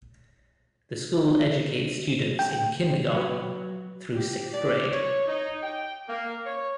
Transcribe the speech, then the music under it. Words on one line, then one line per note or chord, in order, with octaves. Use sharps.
The school educates students in kindergarten through sixth grade.
G5
F#3 B4
G4
D5
C#5
D#4
G5
A#3
C#5